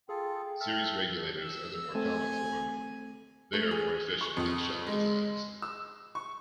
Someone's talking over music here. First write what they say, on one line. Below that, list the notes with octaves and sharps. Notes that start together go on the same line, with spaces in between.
Series regulators are the more common form; they are more efficient than shunt designs.
F4 G#4 A4 G5
A4 E5 F6
E6
A3 C4 A4 G#5
A3
G#4
C#6
F2
G#3
E6
C#6